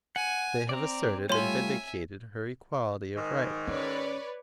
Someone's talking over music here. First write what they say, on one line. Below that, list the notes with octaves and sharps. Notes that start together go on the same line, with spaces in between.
They have asserted and vindicated her equality of right.
F#5 G#5
C4 D5 A#5
G3 A3 F4 C#5 E5 G#5 C6
G#2 D#3
C#4 B4 C#5 D5